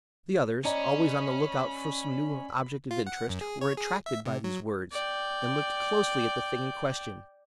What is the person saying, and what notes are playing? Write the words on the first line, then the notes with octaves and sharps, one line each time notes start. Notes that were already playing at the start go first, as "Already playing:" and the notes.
The others, always on the lookout for some new object of interest, were attracted by these words, and looked closely at the thing in question.
C#4 D5 D#5 A#5 B5
F4
F#5
F#2
G#4
C#5
G#4
E5
C3
F#3
D5 G5